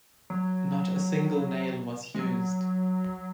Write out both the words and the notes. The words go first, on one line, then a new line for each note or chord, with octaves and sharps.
Not a single nail was used.
F#3
G#3
F#3